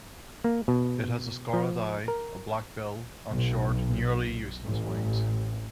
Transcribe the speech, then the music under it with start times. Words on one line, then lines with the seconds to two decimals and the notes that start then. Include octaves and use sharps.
It has a scarlet eye, a black bill, and short, nearly useless wings.
0.44 A#3
0.68 B2
1.53 F3
2.08 A#4
3.31 B1
4.62 A1